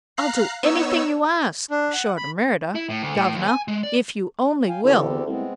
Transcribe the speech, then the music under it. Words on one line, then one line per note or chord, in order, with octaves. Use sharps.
'I'll do anything you ask, short o' murder, governor, if you only will.'
F5 A#5 F#6 C7
B3 D#4 C#5 E6
D4
F#5
B5
E4
A2
D2
A2
D#2
G#5
G#3
D5
F5 G5 G#5
D2 D3 E3 B3 C4 G4 A4
E2
C2 G#3 A3 B3 C4